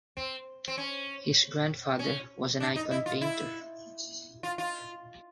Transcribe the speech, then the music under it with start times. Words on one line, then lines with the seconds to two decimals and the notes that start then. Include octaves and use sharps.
His grandfather was an icon painter.
0.17 C4
0.68 C4
0.78 C#4
1.99 C#4
2.60 D4
2.76 D#4
2.91 E4
3.06 F4
3.21 E4
4.43 F4
4.58 F4